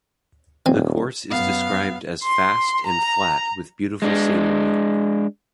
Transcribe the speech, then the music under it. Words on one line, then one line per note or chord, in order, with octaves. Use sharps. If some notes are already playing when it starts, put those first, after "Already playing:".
The course is described as fast and flat with beautiful scenery.
D#1 C4 G#5
F#2 B3 F5
C6
A#5
G#3 D4